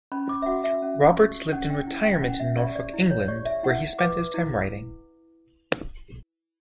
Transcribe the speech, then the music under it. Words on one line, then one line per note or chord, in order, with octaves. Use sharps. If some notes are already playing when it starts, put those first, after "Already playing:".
Roberts lived in retirement in Norfolk, England, where he spent his time writing.
C#4 B5
D6
E5
F#4 F#5
E5
C#4
G4
C#4 F#5
G5
E4
G5
C#4 F#5
E5
G4 D5
D5
E4
C#5
G4 D5
E5
E4 F#5
B4 D6
E4